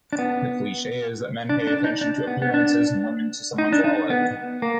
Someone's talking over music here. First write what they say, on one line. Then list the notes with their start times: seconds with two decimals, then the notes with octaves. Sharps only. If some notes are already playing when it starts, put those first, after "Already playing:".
The cliche is that men pay attention to appearances and women to someone’s wallet.
0.13 D4
0.19 B3
1.49 D4
1.67 D4
1.84 D#4
2.01 D4
2.27 B3
2.42 B3
2.54 D4
3.58 D#4
3.72 D4
3.84 D#4
4.10 B3
4.62 A#3